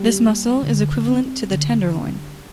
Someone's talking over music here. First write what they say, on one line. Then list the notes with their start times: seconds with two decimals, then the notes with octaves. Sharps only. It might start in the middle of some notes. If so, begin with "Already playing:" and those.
This muscle is equivalent to the tenderloin.
Already playing: G3
0.19 A#3
0.63 D3
1.06 C4
1.50 D3
1.94 D4